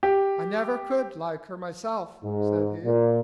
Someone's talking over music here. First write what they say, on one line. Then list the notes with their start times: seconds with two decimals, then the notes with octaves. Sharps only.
'I never could like her myself,' said he.
0.03 G4
2.24 G#2
2.85 A#2